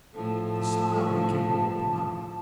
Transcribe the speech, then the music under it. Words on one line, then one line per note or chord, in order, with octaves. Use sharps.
The smile became more pronounced.
A2 F3 A4 A5